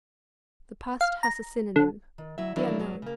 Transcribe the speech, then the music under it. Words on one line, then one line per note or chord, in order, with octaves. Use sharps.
The past has a synonym, the unknown.
F5
A#5
D3
D#3
D2 F#3 E4 E5
D#3 E3 F#3 A#3 D4 E4
G2 F#3 B3
C#3 A#3